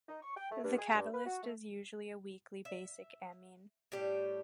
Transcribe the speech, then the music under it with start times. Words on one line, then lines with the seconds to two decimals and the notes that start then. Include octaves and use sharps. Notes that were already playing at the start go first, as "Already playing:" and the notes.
The catalyst is usually a weakly basic amine.
0.09 D#4
0.23 C#6
0.37 G5
0.51 A3
0.64 G2
0.79 G#4
0.95 G2
1.14 B4
1.26 F#4
1.44 A3
2.65 E5
3.92 A2 G3 G4